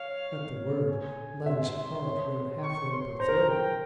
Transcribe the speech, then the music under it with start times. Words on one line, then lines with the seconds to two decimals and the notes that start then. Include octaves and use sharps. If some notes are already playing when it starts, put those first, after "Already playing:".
At the word, Letty's heart ran half-way up her throat.
Already playing: C#5 F5
0.89 G#5
1.46 E5 C6
1.65 E5
2.05 C#5
2.63 C#6
2.91 C6
3.20 C5 A#5
3.29 A#4
3.35 C5
3.49 G5